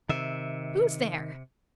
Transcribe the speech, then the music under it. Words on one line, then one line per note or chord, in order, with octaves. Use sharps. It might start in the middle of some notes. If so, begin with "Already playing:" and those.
Who's there!
C3 D#3 E5